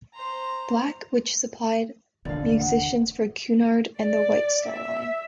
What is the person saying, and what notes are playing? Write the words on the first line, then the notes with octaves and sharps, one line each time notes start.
Black, which supplied musicians for Cunard and the White Star Line.
C5 A#5
D#1 A#1 F2 D3 D5 F5
D#1 C3 F#5
D5
E5